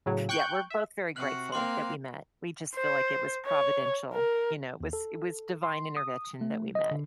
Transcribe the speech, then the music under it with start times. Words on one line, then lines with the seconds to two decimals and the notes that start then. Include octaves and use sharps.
Yeah. We're both very grateful that we met. We just feel like it was providential. You know? It was it was divine intervention that we met.
0.06 A2 C#3 F#3
0.29 G5 C#6 F#6 G6
0.70 E5
1.16 C3 F#4 F6 F#6 F#7
1.52 A#3 C4 F5 C6 D6 F6
2.76 C5
3.47 C#5
4.14 A#4
4.80 D#2
4.93 A4
5.63 C6
5.97 D#6
6.41 A3
6.75 D#5
6.91 D3